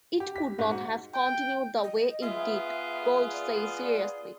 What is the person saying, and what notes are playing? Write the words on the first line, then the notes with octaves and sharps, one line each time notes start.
"It could not have continued the way it did," Gould says seriously.
G4
B6
G#2
F#4
G5
D#5
B3 F4 G#4 E5
D5